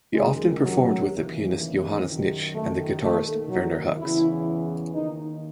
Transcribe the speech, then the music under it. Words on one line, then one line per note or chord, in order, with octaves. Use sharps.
He often performed with the pianist Johannes Nitsch and the guitarist Werner Hucks.
F#2 D#3 G#3
F#3
D#2 C#3 E3
F#2 D#3
A3
D#2 D#3 A3
F#3
E2 C#3 E3 E4
D#2 D#3 D#4